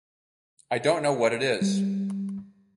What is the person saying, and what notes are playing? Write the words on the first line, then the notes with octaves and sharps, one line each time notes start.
I don’t know what it is.
G3